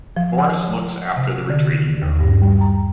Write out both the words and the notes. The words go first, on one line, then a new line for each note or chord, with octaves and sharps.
Boris looks after the retreating girl.
F3
F#5
C3
D3
D#2
G2
G3
A#5